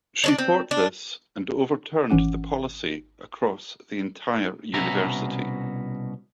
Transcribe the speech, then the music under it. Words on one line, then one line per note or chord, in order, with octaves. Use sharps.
She fought this and overturned the policy across the entire university.
D4 C#5 D5
C4
D4
G#1 E3 C#4 F#5 D6
C2 B2 C#4 F#4 E5 A#5